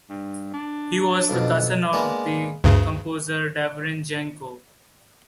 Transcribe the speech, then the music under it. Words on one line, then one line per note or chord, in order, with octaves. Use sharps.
He was the cousin of the composer Davorin Jenko.
G2
D4
B1 F2 B2
G#3 A#3 B3 D4
D2 G2 C#3